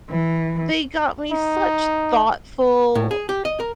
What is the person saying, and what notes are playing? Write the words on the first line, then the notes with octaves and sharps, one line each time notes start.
they got me such thoughtful,
E3
D#4
A2
G#4
G4
D#5
A#4